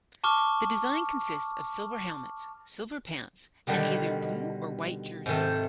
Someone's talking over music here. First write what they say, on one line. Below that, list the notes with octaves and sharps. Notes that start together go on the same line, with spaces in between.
The design consists of silver helmets, silver pants, and either blue or white jerseys.
A5 C#6 D6 F6
B2 D3 D#3 G3 B3
G#2 C3 D#3 A3